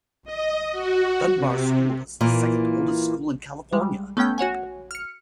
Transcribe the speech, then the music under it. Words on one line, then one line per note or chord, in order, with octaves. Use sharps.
Dunbar school is the second oldest school in California.
D#5
F#4
C3
A#2 E3 A#3
G3 G#3
A3 B3 C#4 G5 G6
F#4 C#5 F#5 G#5
F6 C#7